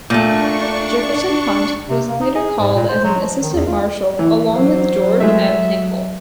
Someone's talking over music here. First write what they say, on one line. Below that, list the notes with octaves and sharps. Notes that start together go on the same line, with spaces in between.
Jefferson Hunt was later called as an Assistant Marshall along with George M. Hinkle.
A#2 A3 D4 C#6
C3
A#3
D#4
G#4
G#2
A#2
C5
F#3
F3
D#3
E2
F4
E3
F#3 C5
G#3 A3 E5